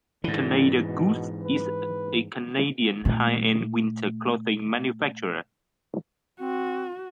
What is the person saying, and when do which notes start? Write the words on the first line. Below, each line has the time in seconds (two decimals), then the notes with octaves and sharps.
Canada Goose is a Canadian high-end winter clothing manufacturer.
0.24 G#2 D3 E3
0.86 B2
1.44 B4
3.05 A#2 A3
6.41 C4 F#4